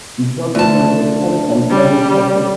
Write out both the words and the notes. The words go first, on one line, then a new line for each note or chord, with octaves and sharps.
His hobbies include tennis and playing Tetris.
D2 A5
G3